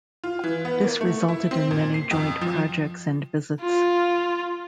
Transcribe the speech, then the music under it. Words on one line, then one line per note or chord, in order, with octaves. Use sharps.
This resulted in many joint projects and visits.
F4
E3
B3
A#3
A3
E4
C4
A#2
C7
F2
F3
F4